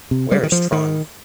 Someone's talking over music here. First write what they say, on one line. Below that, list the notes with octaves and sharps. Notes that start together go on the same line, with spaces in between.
Where is Tron?
C3
G3
D#3
F3
D#3